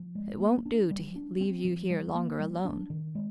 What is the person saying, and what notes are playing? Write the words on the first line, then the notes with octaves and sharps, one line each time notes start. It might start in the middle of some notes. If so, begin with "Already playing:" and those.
It won't do to leave you here longer alone.
Already playing: F3
G#3
A#3
D4
G3
D4
C4
F3
G3
A#3
G3
D4
D#3
G#3